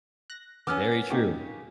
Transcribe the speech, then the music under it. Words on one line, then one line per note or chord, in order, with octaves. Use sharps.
Very true,
F#6 A#6
B3 C#4 D6 E6 F6
C#3 A#3 D#4 F#4 G4